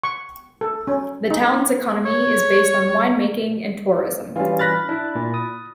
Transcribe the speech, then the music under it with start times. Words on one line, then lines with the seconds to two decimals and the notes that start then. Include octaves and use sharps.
The town's economy is based on wine making and tourism.
0.04 C#6
0.61 A4
0.87 C#4
1.30 D#4
2.06 C#5
4.36 E3 G3 C#4 F4
4.59 B5 F6 F#6 A6 A#6
4.89 D4 E4
5.15 A#2
5.34 D#6